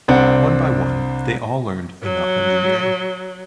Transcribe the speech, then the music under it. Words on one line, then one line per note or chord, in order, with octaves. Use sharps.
One by one, they all learned enough engineering.
C2 C4 D4 F#5
F#3